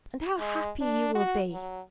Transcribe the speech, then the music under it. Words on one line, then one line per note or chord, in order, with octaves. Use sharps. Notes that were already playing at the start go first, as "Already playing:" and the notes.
And how happy you will be!
G#3
D4
F#4
F#3